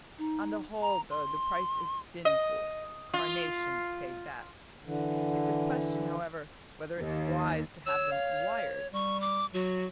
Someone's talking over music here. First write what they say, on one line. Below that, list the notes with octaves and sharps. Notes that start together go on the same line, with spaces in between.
On the whole, though the price is sinful, carnations pay best;--it's a question, however, whether it's wise to have them wired.
D#4
A#5
C6
D#5
F4
D3 E3
D#2
C#5 E6
F5
G3 C#6
D6
F#3 F#4